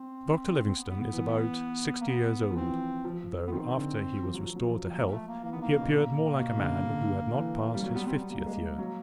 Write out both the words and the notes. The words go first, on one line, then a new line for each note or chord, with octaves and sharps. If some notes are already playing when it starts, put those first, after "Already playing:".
Dr. Livingstone is about sixty years old, though after he was restored to health he appeared more like a man who had not passed his fiftieth year.
Already playing: C4
C4
B3
B3
B3
E3
A#3
B3
F3
E3 C4
F3
B3
D#3 C4
D3
F3
F#3
F3
F#3
F3
F#3
F3
A#3
A3
A#3
E3 A#3
D#3 B3
A#3
C#3
B2
A#2 A#3
B2
D3
C#3
D3
E3
G3
F#3
G3 B3
G3 C4
B3
G3 A#3
G#3
F#3